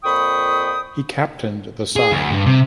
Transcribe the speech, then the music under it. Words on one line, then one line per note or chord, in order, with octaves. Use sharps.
He captained the side.
F2 A#2 G5 B5 C#6 D#6
G#4
D2
G2
C3